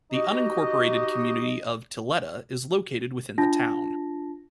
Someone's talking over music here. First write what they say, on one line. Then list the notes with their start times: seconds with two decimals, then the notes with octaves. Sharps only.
The unincorporated community of Tilleda is located within the town.
0.11 D#4 F#4 G4 D#5
3.38 D4 F4 A5 A#6